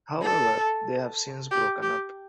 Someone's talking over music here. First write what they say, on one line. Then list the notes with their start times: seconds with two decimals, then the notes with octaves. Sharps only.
However, they have since broken up.
0.22 A4
1.51 G4
1.82 G4